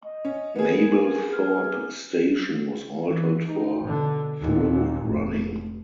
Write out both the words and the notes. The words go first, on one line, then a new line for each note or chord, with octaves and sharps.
Mablethorpe station was altered for through running.
D#5
C#4
B3 G#4 A#4
F6
E3
D#4
B2 D3
D#2 A#2
F1